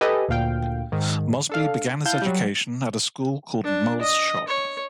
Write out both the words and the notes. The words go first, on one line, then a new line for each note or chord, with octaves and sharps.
Mosby began his education at a school called Murrell's Shop.
G4 A4 B4 D#5 G#5
D2 A#2 F5 G5
G#2 D#3
D4 A4 F5
E4 F5 A5 G6
F#3 G3
D4
D#5
C#5